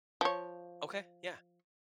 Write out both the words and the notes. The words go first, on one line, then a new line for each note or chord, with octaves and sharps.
Okay. Yeah.
F3 C#5